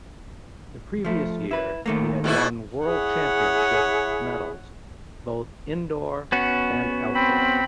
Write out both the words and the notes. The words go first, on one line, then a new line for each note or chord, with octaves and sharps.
The previous year he had won World Championships medals both indoor and outdoor.
F3 A3
E4 B4
D#3 A3 A#3
G#2 B2 E4
E4 G#4 C#5 F#5 D#6
B3 C#4 F#4
C4 B5